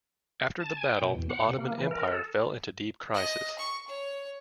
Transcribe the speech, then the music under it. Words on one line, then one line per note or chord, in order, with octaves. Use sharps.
After the battle, the Ottoman Empire fell into deep crisis.
A5
G#5
G5
B2
E2
F#5
C3
A#3
E3
A#4
A4
D#5
C#6
C#5